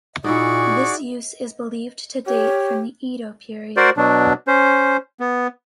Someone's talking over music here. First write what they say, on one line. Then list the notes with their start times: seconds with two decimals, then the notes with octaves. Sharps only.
This use is believed to date from the Edo period.
0.24 A#2 D#4 E4 F#4 G#4 D5 C#6
2.27 G4 C#5
3.77 F#4 A#4 C5 D5
3.97 B2 F#3 D4
4.47 C#4 C5
5.20 B3